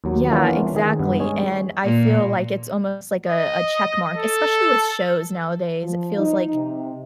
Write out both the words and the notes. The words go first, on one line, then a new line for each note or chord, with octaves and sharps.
Yeah, exactly, and I feel like it's almost, like, a a check mark, especially with shows nowadays, it feels like
D#2 F#3
E3 A#3 B3 C#4 D4 F4
D#3 G#4
G2 B3
G#3 C#4 G#4 C#5
A#2
D#5
A4
F3
D#4
C3